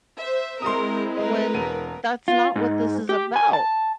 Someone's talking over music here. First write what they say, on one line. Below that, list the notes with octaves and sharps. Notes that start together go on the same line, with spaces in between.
when that's not what this is about?"
C5 E5
G#3 C4 E4 A#4 C6 D#6
A#4 B4 D#5
E1 D#7
F4
G#2
G4
G#5
A5